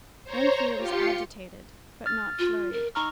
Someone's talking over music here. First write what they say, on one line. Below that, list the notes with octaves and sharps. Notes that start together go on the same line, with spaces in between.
Anthea was agitated, but not flurried.
C5 C#5 A#5
F4 G4 C6 C#7
F6 A6
F4
A#4
D#4 A#5 C#6 F6